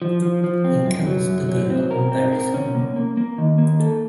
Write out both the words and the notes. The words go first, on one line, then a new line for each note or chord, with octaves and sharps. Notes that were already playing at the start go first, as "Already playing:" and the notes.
He kills the girl and buries her.
F3
F3
F3
C4
F#2
F#3
F#2
F#3
C4
A#4
C4
A#4
C#4
A#3
A#3
A#3
D#3
A#3
A4